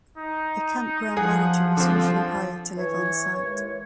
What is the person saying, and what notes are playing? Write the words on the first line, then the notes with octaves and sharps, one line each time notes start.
A campground manager is usually hired to live on site.
D#4
F3 G#4 F#5 G#5
D3 C4 F4
E3 C#5
D#2 E3 G#3